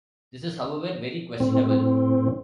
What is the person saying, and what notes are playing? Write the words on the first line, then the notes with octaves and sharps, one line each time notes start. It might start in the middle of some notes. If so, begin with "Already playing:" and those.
This is, however, very questionable.
A2 C4